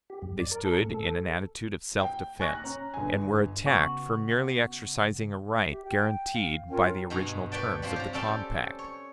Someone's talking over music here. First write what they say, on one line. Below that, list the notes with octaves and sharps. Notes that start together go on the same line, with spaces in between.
They stood in an attitude of self-defense, and were attacked for merely exercising a right guaranteed by the original terms of the compact.
G4
F#2
D5
A#4
A4
A2
A4
G5
G#5 C#6 F#6 A#6
C#4 A#5
G1 G#5
C#3 B3 F#4
E5
G4
G5
F5
C#4 F4 A#4 G5
G2 B2 G#5 A#5
B4 C#5 D5 G5 A5
C3 F3 C4 G4 D5
G4 A#5
C4 C#4 A4 D5 G5 A5
C#5